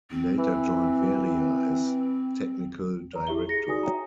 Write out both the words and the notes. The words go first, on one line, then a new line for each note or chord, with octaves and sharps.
He later joined Veria as technical director.
C4
E3
C#5 A#5
E4 G4 E5 G7
G#4 A#6 C#7
D#4 F#4 D5 G#5 D#6
C#5 E5 G5 G#5 A#5